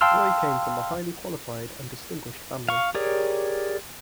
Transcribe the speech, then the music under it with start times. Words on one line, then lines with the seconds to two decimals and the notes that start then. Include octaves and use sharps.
Roy came from a highly qualified and distinguished family.
0.01 F5 G5 A5 C6 E6 F6
2.69 F5 C#6
2.95 G4 G#4 A#4 C#5 D5